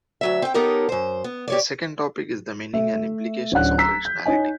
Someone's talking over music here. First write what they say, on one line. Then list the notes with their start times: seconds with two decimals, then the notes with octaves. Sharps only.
The second topic is the meaning and implications of rationality.
0.21 D2 F#3 E5
0.42 C4 G5
0.54 B3 D#4 G4 A4 A#4 C#5
0.89 F#2 C5
1.24 B3
1.48 G4 C#5 D5
2.73 A3 E5
3.52 D1 C#4 D4 F#5 F#6
3.78 A#5 E6 B6
4.05 G6
4.26 D#4 C#5 D#5 G#5